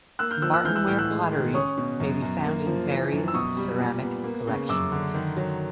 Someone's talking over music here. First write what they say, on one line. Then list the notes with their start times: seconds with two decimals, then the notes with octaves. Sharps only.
Martinware pottery may be found in various ceramic collections.
0.19 A#3 E6 F#6
0.31 F6 G6
0.42 F3 E6 F#6
0.53 E6 F#6
0.64 E3 F6 G6
0.75 E6 F#6
0.87 A2 F6 G6
0.99 E6 F#6
1.10 G#3
1.32 D#3
1.54 C#4 C#6 D#6
1.78 B2
2.00 F#2
2.22 F#2
2.45 A#3
2.67 F3
2.90 E3
3.12 F#2
3.28 E6
3.34 B2 C#6 D#6
3.57 G3
3.79 A#2
4.02 B3
4.24 A#3
4.47 C#3
4.69 F#2 D6 E6
4.92 D3
5.14 D#3
5.37 F#3